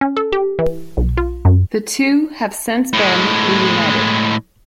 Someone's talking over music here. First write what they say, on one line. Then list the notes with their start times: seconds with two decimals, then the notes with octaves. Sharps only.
The two have since been reunited.
0.01 C#4
0.17 A4
0.32 G4
0.59 E3
0.97 B1
1.17 F4
1.45 F#2
2.93 A2 G#3